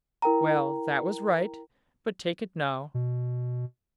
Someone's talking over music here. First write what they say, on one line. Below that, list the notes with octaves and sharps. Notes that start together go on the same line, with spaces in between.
Well, that was right, but take it now.
E4 A#4 G5 A#5
B2